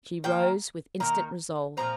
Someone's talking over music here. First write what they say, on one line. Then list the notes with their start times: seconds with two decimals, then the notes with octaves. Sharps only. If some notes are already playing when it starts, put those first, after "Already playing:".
She rose with instant resolve.
0.24 D#3 A#3 G5
1.00 D#3 A#3 A#5
1.77 A#2 F3 C4 A#5